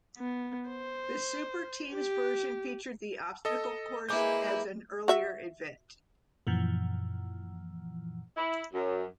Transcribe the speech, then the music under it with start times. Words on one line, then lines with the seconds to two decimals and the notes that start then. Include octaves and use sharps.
The "Superteams" version featured the obstacle course as an earlier event.
0.18 B3
0.69 C5
1.91 G4
3.45 A4 D#5
4.09 G#3 A#3 E4 G#4 B4 D6 G6
5.08 F#4 E5
6.47 F#2 A#2 E3 F3
8.37 E4
8.74 F#2